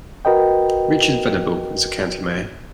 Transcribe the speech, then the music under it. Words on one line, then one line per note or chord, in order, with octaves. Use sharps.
Richard Venable is the county mayor.
F#4 A#4 B4 D#5 G5